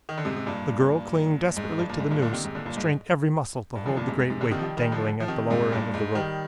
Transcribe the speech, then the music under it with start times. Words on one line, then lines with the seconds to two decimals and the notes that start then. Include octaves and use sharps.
The girl, clinging desperately to the noose, strained every muscle to hold the great weight dangling at the lower end of the rope.
0.09 D#3
0.18 D3
0.25 G#2 C3
0.37 C3
0.46 G2 A#2
1.57 G#2
1.79 G2
1.89 A#2
2.00 G#2
2.11 G2 A#2
2.22 A#2 D3
2.33 C3 D#3
2.44 G#2 C3
2.55 A#2 D3
2.66 G2 A#2
2.77 G#2
3.76 G2
3.86 D3 F3
3.97 G2 A#2
4.08 G#2 C3
4.19 G#2
4.30 G#2 C3
4.41 A#2 D3
4.51 C3 D#3
4.59 F3
4.62 D#3 G3
4.77 D#3 G3
4.92 D3 F3
5.20 F3
5.28 C3 D#3
5.50 G#2 C3
5.72 G2 A#2
5.94 G#2
6.15 D#3 G3